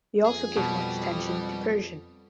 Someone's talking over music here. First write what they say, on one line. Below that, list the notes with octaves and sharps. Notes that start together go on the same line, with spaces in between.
He also gave much attention to Persian.
F2 G#4
B2 G3